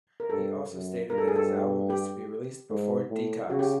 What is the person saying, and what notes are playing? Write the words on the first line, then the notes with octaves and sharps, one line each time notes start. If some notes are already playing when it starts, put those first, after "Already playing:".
He also stated that his album is to be released before "Detox".
A#4
G2 A4
F#2
G2 A#4
A4
G#4
A4
G4
G#2
A2
C#3 F#4
G4